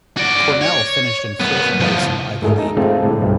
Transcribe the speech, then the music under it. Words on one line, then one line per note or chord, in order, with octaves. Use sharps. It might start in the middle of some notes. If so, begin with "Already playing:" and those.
Cornell finished in fourth place in the Ivy League.
F#4 D5
C#5
F#2 B3
C2 F3
G#2 A3 G#4 A#4
D#4
G#3 A3 C4 F4
A2 D3
B1 G2